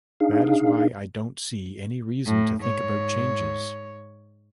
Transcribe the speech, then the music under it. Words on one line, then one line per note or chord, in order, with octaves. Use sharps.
That is why I don't see any reason to think about changes.
D4 D#4 G#4 F5
A2
G#2 C#5